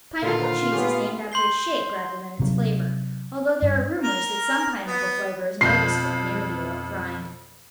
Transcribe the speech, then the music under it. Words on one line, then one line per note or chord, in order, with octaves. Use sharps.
Pineapple cheese is named after its shape rather than its flavor, although there are rumors that some pineapple flavor is noticeable near the oiled rind.
A#2 D3 D#3 F4
B3 C#4 G4
C6 G6 C7 G7
C3 F#3
G2
A#4
B3
F2 B2 G6 C7